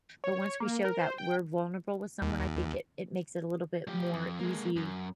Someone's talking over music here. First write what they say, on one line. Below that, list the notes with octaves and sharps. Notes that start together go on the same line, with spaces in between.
but once we show that we're vulnerable with someone, I think it it makes it a little bit more easy
C#5
A#3
A#4
C5
G5
D#2
F3 G4
F2
G#3 A#3
F#2